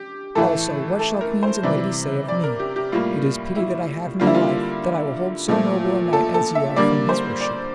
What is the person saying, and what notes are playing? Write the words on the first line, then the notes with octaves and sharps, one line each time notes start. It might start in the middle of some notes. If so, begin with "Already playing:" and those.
Also what shall queens and ladies say of me? It is pity that I have my life, that I will hold so noble a knight as ye are from his worship.
Already playing: G4
A2 E3 A3 A4
A4
A#4
C5
C3 E3 G3 D5
D5
A#4
G4
G4
A2 G3 A#3 F4
E4
D3 G3 A#3 F4
E4
F4
A#2 F3 A3
A4
A4
E5
D3 G3 A#3 D5
C5
D5